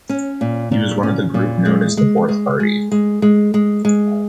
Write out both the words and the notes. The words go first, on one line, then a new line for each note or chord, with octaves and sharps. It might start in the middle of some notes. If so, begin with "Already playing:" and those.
He was one of the group known as the Fourth Party.
C#4
A#2
A#2
C#4
A#2
G#3
G#3
G#3
G#3
G#3
G#3
G#3
G#3